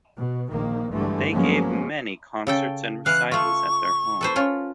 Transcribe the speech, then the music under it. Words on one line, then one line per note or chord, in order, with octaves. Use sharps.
They gave many concerts and recitals at their home.
B2
A#1 D#3 A#3
G2 D3 E3 G#3 A3
F3 F#3 G#3 A#3 B3 C#4
C#3 A4 G5
E3 F5 F#6
A3 F4 C#6
A4 B4 C5
C#4 F4